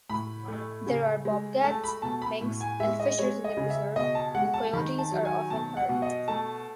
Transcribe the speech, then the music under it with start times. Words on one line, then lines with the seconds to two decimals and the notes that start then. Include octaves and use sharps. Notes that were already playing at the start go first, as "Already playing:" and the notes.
There are bobcats, minks and fishers in the preserve, and coyotes are often heard.
0.10 A2 B5
0.48 A3
0.86 C#3
1.25 G#3
1.64 A3 A5
1.84 B5
2.02 B2 A5
2.22 B5
2.41 A2
2.61 G#5
2.80 G#3 E5
3.00 D#5
3.19 G#3 C#5
3.44 D#5
3.57 C#3
3.70 E5
3.96 B2 D#5
4.15 A5
4.35 G#3 F#5
4.54 A5
4.73 D#3 B5
4.99 A5
5.12 F#3
5.25 G#5
5.50 B2 A5
5.77 F#5
5.89 B2
6.02 D#5
6.28 A3 A5